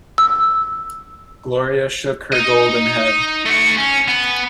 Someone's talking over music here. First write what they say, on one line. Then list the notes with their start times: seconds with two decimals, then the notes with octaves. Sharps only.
Gloria shook her golden head.
0.18 E6
2.33 D#4 D#5
3.45 A3 F#4
3.78 C#4
4.08 B3